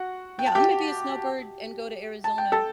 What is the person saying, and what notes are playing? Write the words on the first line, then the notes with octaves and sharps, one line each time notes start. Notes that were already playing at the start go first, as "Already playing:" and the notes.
Yeah, I'm gonna be a snowbird and go to Arizona.
Already playing: F#4 F#5
G5
A5
G4 G5
A5
G5
A4 A5